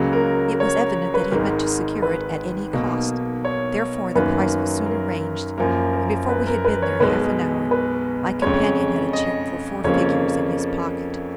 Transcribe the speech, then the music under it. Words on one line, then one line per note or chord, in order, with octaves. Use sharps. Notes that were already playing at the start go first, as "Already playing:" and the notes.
It was evident that he meant to secure it at any cost, therefore the price was soon arranged; and before we had been there half an hour, my companion had a cheque for four figures in his pocket.
Already playing: C#2 C#3 F#3 A#3
A#4
C#5
A#4
B4
G#1 G#2 D#3 A#4
B4
B1 B2 A#3
C#5
F#2 D#3 F#3 A#3 B4
A#4
F#2 F3 A#3 A#4
A#4
B4
A#4
B4
C#5
B1 B2 G#3 B4
B4
F2 C#3 G#3 C#5
D#5
F2 C#3 F3 A#3 C#5